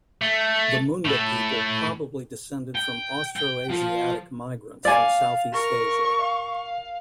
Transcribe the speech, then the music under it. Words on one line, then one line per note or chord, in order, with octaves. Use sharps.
The Munda people probably descended from Austroasiatic migrants from southeast Asia.
A3
A2 A4
G5
G5
F3
D5 F5 G#5
A#4 C#6
F5